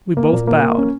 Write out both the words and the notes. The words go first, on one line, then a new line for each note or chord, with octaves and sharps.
We both bowed.
A#3
A#2
A#3
A#3
C#4